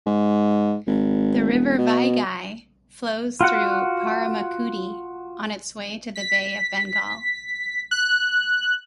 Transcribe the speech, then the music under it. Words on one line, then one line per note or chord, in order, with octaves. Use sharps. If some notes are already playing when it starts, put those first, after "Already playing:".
The river Vaigai flows through Paramakudi on its way to the Bay of Bengal.
G#2
G#1
E1
B2
F4 F#4 F#5
B6
F#6